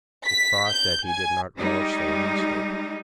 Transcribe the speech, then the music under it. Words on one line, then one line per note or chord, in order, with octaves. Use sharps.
He thought that he did not relish the landscape.
B6
G6
G#5
G3 G#3 D#4